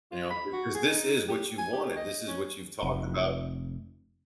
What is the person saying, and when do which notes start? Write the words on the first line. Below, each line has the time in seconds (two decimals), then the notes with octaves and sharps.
"you know, because this is what you've wanted, this is what you've talked about
0.12 F4
0.30 B5
0.53 F#4
0.75 G#4
0.90 D#4
1.29 G4
1.58 G#5
1.73 G4
1.96 D#5
2.27 C#4
2.83 F1